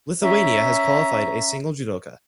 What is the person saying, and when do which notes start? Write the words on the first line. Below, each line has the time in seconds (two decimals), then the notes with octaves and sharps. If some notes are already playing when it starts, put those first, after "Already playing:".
Lithuania has qualified a single judoka.
0.22 C#4 E5 A#5